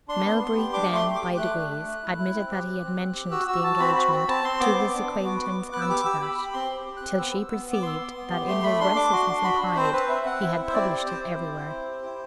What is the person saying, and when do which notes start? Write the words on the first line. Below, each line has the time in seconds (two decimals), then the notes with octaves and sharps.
Melbury then by degrees admitted that he had mentioned the engagement to this acquaintance and to that, till she perceived that in his restlessness and pride he had published it everywhere.
0.08 D4 C6
0.25 B3
0.41 B3
0.57 G4
0.73 D4 D6
0.89 A3
0.95 C6
1.05 G4
1.15 D6
1.22 G4
1.37 A3 F#6
1.54 D4
1.69 A3
1.86 A3
2.03 E4
2.18 E4
2.35 C4
2.51 G4
2.67 C4
2.83 C4
2.99 C4
3.16 G4
3.31 F#4 E6
3.47 F#4 E6
3.64 F#4 A5
3.80 C4 B5
3.95 F#4 B5
4.12 C4 B5
4.28 C4 A5
4.44 C4 C6
4.60 B3 D6
4.76 B3
4.93 D4
5.09 B3
5.24 F#4
5.41 B3
5.57 B3
5.72 B3 F#6
5.81 E6
5.89 G4 D6
6.05 G4 E6
6.21 G4 B5
6.38 G4 B5
6.53 C4 C6
6.71 G4
6.86 G4
6.97 F#6
7.02 C4
7.18 B3 E6
7.35 B3
7.51 B3
7.67 B3
7.73 D6
7.83 B3 C6
8.00 B3
8.16 B3
8.31 G4
8.48 A3 C6
8.63 A3 B5
8.80 D4 C6
8.95 D4 D6
9.12 F#4 C6
9.28 D4
9.44 F#4 B5
9.61 D4
9.76 C4 C5
9.93 C4 B4
10.09 C4 E5
10.25 C4 F#5
10.41 E4 E5
10.57 E4
10.67 C5
10.73 C4 D5
10.89 G4
11.05 C4 C5
11.22 E4
11.38 C4
11.54 E4
11.70 C4
11.86 G4
12.03 E4